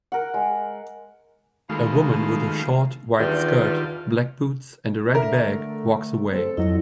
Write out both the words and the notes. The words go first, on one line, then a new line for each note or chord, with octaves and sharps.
A woman with a short, white skirt, black boots and a red bag walks away.
A#4 F#5
G#3
F2 B2 D#3 G#3 A3 F5
E2 G2 D#3 G3 F4
D3 A#4 E5
A3
C4 A4
F2 F#3 E4 D#5